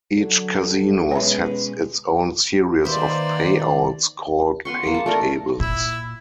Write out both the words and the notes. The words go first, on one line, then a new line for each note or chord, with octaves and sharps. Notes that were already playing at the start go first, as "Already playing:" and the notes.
Each casino sets its own series of payouts, called "paytables".
D3 F#3
B2 G#3 C#4 B4 C#5 E5
D#3 A#3 B4 C5 D5 E5
B3 B4 C6 C#6
A#3 G#4
A5
A3 D4 A4 A#4
A#2 E4